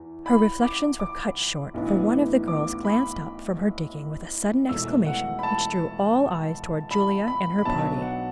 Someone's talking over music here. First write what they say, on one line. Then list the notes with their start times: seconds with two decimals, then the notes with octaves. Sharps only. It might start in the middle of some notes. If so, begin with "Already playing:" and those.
Her reflections were cut short, for one of the girls glanced up from her digging with a sudden exclamation which drew all eyes toward Julia and her party.
Already playing: E2 E3
0.26 B5
0.63 D6
1.00 D6
1.74 B1 A2 E3 B3 D4
2.48 D6
2.85 B5
4.69 E1 E2 B2 A3 E6
5.06 F#5
5.39 B5
5.43 A5
6.91 B5
7.28 B5
7.59 B5
7.65 B1 B2 F#3 B3 D4 A5
8.02 F#5